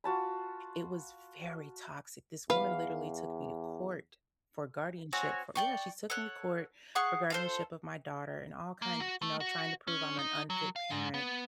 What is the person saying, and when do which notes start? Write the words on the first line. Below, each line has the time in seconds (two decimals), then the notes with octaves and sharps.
it was very toxic. This woman literally took me to court for guardianship for yeah, she took me to court for guardianship of my daughter and all kind you know, trying to prove I'm an unfit parent.
0.04 F4 F#4 A5 B5
2.50 E2 B4 F5
5.13 C4 F#4 C#5 G#5
5.55 D5 G5 C#6
6.10 A4 C#5 F#5
6.95 G#4 F5 F#5 C#6
7.30 F4 A4 C5
8.82 A#3
9.00 F#4
9.22 A3
9.40 F#4
9.87 C#4
10.19 D#4
10.50 F#3
10.76 F5
10.90 G#2
11.14 B3